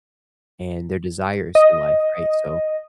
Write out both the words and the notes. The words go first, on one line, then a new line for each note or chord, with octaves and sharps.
and their desires in life, right, so,
D#5